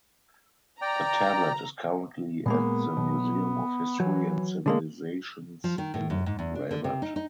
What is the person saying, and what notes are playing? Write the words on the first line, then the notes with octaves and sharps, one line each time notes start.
The tablet is currently at the Museum of History and Civilizations in Rabat.
D5 G5 A#5
A#2 G#3 A#3 B3
B1
E3 F#3
D3 G#3 A#3 C#4
F3
D#3
A2
F#2
G#2
E2
D4
D3
C3
D#4
D#4